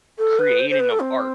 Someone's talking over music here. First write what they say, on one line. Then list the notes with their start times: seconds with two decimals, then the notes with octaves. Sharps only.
creating of art
0.18 A4
0.38 B4
0.59 C5
0.69 C5
0.79 B4
0.90 A4
0.99 C4